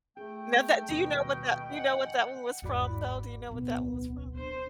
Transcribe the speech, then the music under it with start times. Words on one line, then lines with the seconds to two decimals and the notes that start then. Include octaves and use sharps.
Now that do you know what that do you know what that one was from, though? Do you know what that one was from?
0.17 A3 G#4 G5
0.89 D#1 B2 A#6
1.72 D#5 F#5 G#5
2.62 G1 E2 G#2 F#4 D5 B5
3.48 D1 B1 B3
4.36 D4 C5